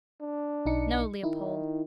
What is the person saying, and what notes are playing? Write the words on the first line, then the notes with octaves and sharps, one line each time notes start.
No, Leopold.
D4
B1 D#4 C#7
D#3 D#4 E4